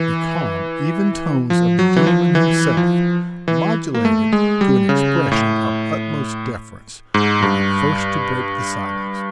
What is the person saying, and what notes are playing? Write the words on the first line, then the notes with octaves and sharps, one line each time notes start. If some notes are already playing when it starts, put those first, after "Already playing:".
The calm even tones of the gentleman himself, modulated to an expression of utmost deference, were the first to break the silence.
Already playing: E3
F3
F#3
E3
F3
E3
F3
E3
A#3
A3
G#3
G3
C#3
A2
G#2
G2